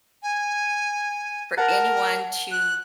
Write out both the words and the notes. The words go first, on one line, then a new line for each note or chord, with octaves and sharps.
for anyone to
G#5
A#4 F#5 A5
F#6